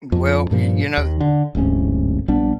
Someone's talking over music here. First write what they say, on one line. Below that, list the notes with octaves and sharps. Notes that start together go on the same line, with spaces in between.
Well, y you know,
F2
G2 A#2 F3
D#2 D#3
D3
D1 A1 G#2 C#4
A#1 G3 B3 D4